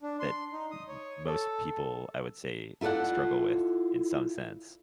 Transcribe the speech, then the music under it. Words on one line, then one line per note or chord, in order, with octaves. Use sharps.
that m most people, I would say, struggle with, in some sense.
D4
C6
D#4
D#6
C#5
A4
E4 F4 A4 D5 F#5